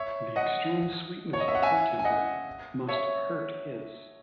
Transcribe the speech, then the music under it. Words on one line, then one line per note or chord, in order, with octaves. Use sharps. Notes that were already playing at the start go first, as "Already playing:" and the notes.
The extreme sweetness of her temper must hurt his.
Already playing: C#5 E5
D#5 F#5
C#5
D#5
E5
F#5
E5 G#5
G#5
D#5 F#5
C#5 E5